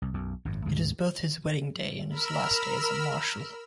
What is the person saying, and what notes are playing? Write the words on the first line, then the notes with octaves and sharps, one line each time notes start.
It is both his wedding day and his last day as a marshal.
C2
B1 F#2
G#1 F#2
D2 G#2 B2 G#3
A#4 B5 E6 F6